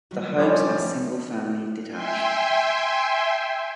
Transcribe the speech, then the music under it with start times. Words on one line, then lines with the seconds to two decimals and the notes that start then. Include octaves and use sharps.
The homes are single-family detached.
0.11 D#3 F#3 G3
0.38 F3 G3 C4 C#4 G4
1.91 E5 G5 G#5 C6